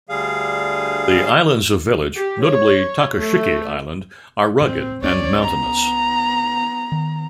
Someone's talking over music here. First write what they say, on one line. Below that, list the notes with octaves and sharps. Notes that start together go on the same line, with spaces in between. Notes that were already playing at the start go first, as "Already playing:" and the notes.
The islands of village, notably Tokashiki Island, are rugged and mountainous.
D2 D3 G3 G#4 F5
G4
C#5
A3
A2 C4
C#2 C4 C#4 C#5 D5
B3 A#5
D#3